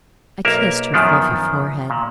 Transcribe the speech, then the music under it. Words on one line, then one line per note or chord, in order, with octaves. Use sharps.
I kissed her fluffy forehead.
B1 A#3 A#4 E5
F#2 D#3 F3 B3 D4
A#2